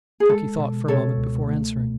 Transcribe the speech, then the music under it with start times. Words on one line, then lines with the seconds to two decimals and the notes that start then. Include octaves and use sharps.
Turkey thought for a moment before answering.
0.20 G#4
0.29 G#3 A4
0.59 B2
0.88 B2 A4 C#5
1.17 C#2
1.48 A3
1.77 B2